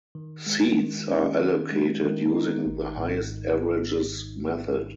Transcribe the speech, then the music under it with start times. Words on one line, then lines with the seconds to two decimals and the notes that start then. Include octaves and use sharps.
Seats are allocated using the highest averages method.
0.15 D#3
0.46 G#3
0.78 D#3
1.09 C#4
1.40 D#3
1.72 G#3
2.03 D#3
2.34 D#4
2.66 G#1
2.97 G#2